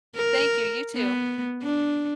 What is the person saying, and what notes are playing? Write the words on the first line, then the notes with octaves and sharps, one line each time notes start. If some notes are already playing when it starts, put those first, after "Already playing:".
Thank you, you too.
A#4
B3
D4